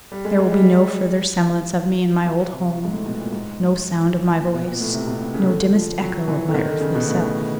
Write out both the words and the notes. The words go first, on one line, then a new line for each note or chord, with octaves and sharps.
There will be no further semblance of me in my old home, no sound of my voice, no dimmest echo of my earthly self.
G3
G#3
G#3
G3
F#3
C3
G#2
A2
B2
A#2
G#2
A#2
B2
A#2
A2
C3
B2
C3
C#3
D3
F3
F#3
E3
D3
D#3
D3
C#3
B2
A2